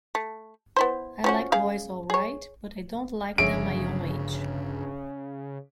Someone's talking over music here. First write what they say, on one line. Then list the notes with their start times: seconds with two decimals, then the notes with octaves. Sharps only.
I like boys all right, but I don't like them my own age.
0.15 A3
0.76 B3 E4 C5
1.24 F3 C#4 F#4
1.52 C#3 G#4 F5
2.10 G#4 C#5
3.38 G1 C#3 F3 D4 G#4 C#5 E5 D7